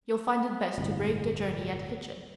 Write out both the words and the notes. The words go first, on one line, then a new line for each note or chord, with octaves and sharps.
You'll find it best to break the journey at Hitchin.
D1 G1 C2